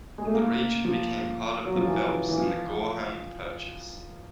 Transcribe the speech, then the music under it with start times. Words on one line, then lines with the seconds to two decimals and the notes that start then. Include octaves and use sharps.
The region became part of the Phelps and Gorham Purchase.
0.18 G#3
0.26 A3
0.34 A#3
0.85 F3
1.66 F#3
1.76 F3
1.87 E3
2.29 E3
2.38 F3